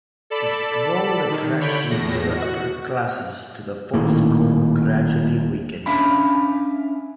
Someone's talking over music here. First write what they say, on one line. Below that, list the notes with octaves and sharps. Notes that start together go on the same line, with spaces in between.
The strong attraction to the upper classes to the folkeskole gradually weakened.
A4 D5 A5 B5
D#3
D3 C#5 B5 G6 D7
E2 A2 A#6
F#4
D#1 D#2 A2 A#3
C#4 D4 E5 F5 B5